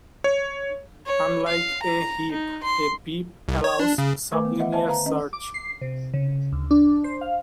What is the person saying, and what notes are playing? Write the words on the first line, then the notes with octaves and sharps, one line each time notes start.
Unlike a heap, a beap allows sublinear search.
C#5
C#5
F5
A#5
D#4
C6
C2
C#5
D4
C#3
D#3 A3 A#4 B4 G#5 D6
B3
D#5 E5 F#5
C5 D#5 E5 G#5 A5
D3 B4 F5 A#5
D#3 C#4 D#5
D6
C7
C3
C#3
D2
D4
C5
F5